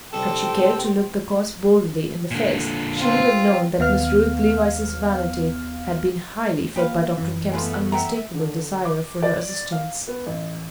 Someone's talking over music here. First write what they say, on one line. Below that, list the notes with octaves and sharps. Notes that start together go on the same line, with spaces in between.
Had she cared to look the cause boldly in the face, she would have known that Miss Ruth Levice's vanity had been highly fed by Dr. Kemp's unmistakable desire for her assistance.
C2 G3 C4 G4 A4 G5
A#2 D3
C4 F4
D#2 B3 F5 F6
A#3 G4 B4 F5
F#2 E3 C4
G#3 A3 B3 E4 F4 A4
E5 F#5 G5 A#5
D3
D6
D5
F5
B3
A1